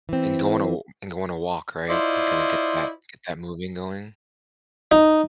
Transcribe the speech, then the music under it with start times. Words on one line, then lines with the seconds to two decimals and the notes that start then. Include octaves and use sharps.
And going to w and going to walk, right? And kinda get that get that moving going?
0.09 E3 C4
1.89 E4 F4 C5 D5 D#5
4.92 D#4